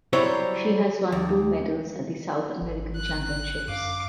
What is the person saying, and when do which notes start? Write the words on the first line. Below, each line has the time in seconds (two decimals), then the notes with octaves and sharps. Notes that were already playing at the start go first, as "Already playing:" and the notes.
She has won two medals at the South American Championships.
0.13 F#3 G3 E4 C5 C#5
1.12 D#2
2.61 G#1
2.97 F#6
3.68 F#2 F5 D6